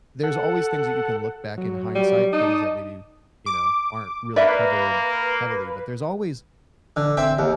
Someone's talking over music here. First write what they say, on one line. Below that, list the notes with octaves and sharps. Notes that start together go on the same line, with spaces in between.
There's always things that you can look back in hindsight, things that maybe, you know, aren't really covered heavily, but there's always
A4 F#5
F#3
G3
D#4 D5 A5 D#6
D6
A#3 B4 D5 E5
D3
C4 E5 G5
D#2